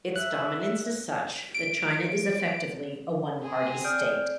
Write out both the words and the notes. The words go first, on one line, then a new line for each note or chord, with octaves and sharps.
Its dominance is such that China is effectively a one-party state.
E5 F#6
D7
C4 G#4
D5 D#6 F6 G6